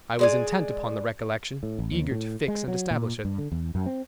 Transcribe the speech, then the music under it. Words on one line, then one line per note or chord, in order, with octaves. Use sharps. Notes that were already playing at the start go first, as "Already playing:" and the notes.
I was intent upon the recollection, eager to fix and establish it.
G#3 D5 G#5
A2
A1
D#2
A2
G#3
F#3
A#2
G2
D3
E2
F#2
C4